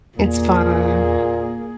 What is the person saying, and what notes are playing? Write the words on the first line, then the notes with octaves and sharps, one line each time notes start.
It's fine.
E2 A#2 A#3 G#4